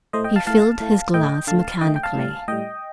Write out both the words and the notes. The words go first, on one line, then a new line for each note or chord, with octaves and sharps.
He filled his glass mechanically.
A2 A3 C5 D#5
D#5 G5
F5 A5
A2 A3 F5 A5
A2 A3
A2 A3 D#5 G5
D3 A3 F5 A5
D3 A3 D#5 G5
G5
F5 A5
A2 G3
A2 G3 D#5 G5